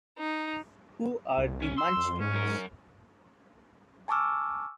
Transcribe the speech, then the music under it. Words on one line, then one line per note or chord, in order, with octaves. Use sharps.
Who are the Munchkins?
D#4
C2
C#4
C6 E6
F2
G#2 C#4
F#2 A#4
G#5 A5 C#6 D6 E6 F6